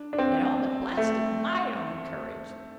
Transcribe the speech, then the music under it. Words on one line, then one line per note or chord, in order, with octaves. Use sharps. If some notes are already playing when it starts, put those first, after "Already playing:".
It all but blasted my own courage.
Already playing: D4
D4
C4
A3